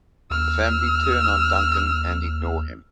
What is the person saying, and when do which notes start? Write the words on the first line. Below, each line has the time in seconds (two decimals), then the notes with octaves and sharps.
The family turn on Duncan and ignore him.
0.31 D#2 E6 F6